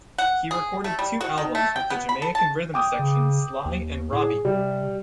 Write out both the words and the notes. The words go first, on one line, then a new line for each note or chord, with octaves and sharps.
He recorded two albums with the Jamaican rhythm section Sly and Robbie.
F#5
G#4
A3
G3
F#4
D#3
A3
G5
B3
B5
A4
A5
G5 D6 D#6
C#3
D#2
A2 G#4
C3 G3